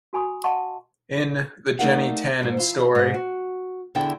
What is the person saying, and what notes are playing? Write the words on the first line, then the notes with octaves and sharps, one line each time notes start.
In "The Jenny Tannen Story".
F#4 A#4 G#5 B5 C#6 D#6
D#5 F5 F#5 A5 C6 C#6
A3 D#4 A#4 D5 F5 F#5
F2 G#2 C5
E3 F4
G#2 D#5
F#4
E2 D3 E4 G#4 D5 G5